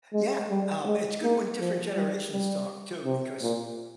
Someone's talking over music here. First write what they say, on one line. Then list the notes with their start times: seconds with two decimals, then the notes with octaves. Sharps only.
Yeah, um, it's good when different generations talk too, because
0.13 G#3
0.49 G3
0.86 G#3
1.23 A#3
1.60 F3
1.95 G3
2.32 G3
3.05 C3
3.42 A#2